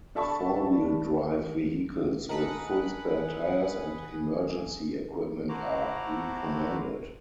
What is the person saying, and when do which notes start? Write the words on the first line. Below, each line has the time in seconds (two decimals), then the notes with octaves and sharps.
Four-wheel drive vehicles with full spare tires and emergency equipment are recommended.
0.15 D4 A4 E5 A5 B5 C#6
2.29 G#4 A#4 B4 D#5 F#5 A5
5.49 A3 E4 F#4 C5 A#5 D6